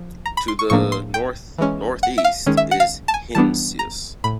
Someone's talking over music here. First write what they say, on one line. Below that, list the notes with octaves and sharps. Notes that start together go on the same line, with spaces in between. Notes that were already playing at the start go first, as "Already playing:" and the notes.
To the north-northeast is Heinsius.
Already playing: F3
A#5
B5
C6
C#6
A2 F3 A#3 D4 C#6
C6
G5
E3 G#3 C#4
F#5
E5
F5
D#3 G#3 C#4
E5
F#5
F5
A5
G#5
E3 G3 B3 D4 A5
A#5
A2 B5